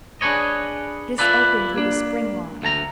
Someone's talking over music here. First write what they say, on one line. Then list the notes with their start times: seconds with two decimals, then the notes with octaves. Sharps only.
This opened with a spring lock.
0.21 D4 G#4 B4 C#5 D#5
1.18 E4 F4 A4 B4 D5
1.74 A#3 D4
2.62 D2 A3 A5 A#5